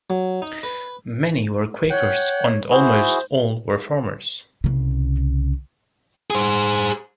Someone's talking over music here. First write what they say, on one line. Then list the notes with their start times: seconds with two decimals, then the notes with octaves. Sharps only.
Many were Quakers, and almost all were farmers.
0.10 F#3
0.42 D#4
0.63 B4
1.90 C#5 F#5 G5
2.71 E4 F#4 G#4 C5
4.64 C2 C#3
6.30 G#4 C5